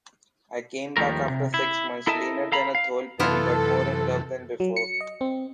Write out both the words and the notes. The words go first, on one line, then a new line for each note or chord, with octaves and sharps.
I came back after six months, leaner than a thole pin, but more in love than before.
D#2 F3 G3 A3 A#4
C3
E4
E4 A4 A#4 D#5 E5 A5
A4 F5 A#5 B5
F5
F#2 C3 E3 B3 E4 F4 A4
F#3
C#7
D#5
C4